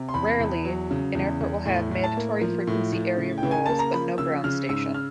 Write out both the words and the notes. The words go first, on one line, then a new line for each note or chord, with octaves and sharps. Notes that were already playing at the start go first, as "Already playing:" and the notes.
Rarely, an airport will have Mandatory Frequency Area rules, but no ground station.
Already playing: C3
C6
E2 B5
E2
F#3
C#3
E2
E2
A2
A2
A5
A#3
F3
A2
A2
C#3
G5
C#3
G#5
A#3 A5
A#5
F3 B5
C#3 E6
C#3 F6
G#2 E6
F6